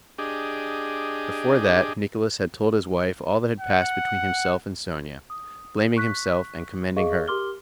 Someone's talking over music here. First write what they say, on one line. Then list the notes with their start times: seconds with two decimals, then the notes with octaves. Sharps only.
Before that, Nicholas had told his wife all that had passed between himself and Sonya, blaming himself and commending her.
0.18 D4 G4 G#4 D#5
3.60 F#5
5.30 D#6
5.97 C#6 F#6 B6
6.96 G#4 D#5 F5 C#6
7.28 G4 A#4 C6 D6 F6 G7